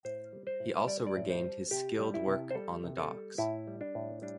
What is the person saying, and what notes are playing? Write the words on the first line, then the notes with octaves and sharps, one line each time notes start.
He also regained his skilled work on the docks.
A2 C5
G3
C5
A2
G3 D5
D5
A2
C5
G3
C3 G4
G3
E4
C3
C5
G3 A4
C3
A4
G3
A2 E4
G3
D4
A2
G3 D4